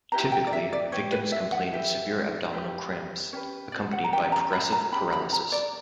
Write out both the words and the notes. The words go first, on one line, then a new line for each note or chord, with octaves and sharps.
Typically, victims complain of severe abdominal cramps, accompanied by progressive paralysis.
E4 G4 B4 A#5
G5
D5
E5
D5
E4 G4 B4 C#5
B4
E5
F#5
E4 G4 B4 E5
E4 G4 B4
C#4 G4 B4 C#5
D5
F#5
A#5
C#4 G4 B4 G5
A#5
B5
A#5
C#4 G4 B4 B5
B5
A#5
D5